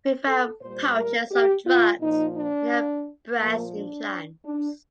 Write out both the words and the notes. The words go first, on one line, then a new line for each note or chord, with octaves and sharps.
We found pouches of drugs in her breast implants.
A4
A#2 G3 C5
A#4
G4
F4
A#2 F3 D#4
D4
A#2 F3 A#3
D4
D4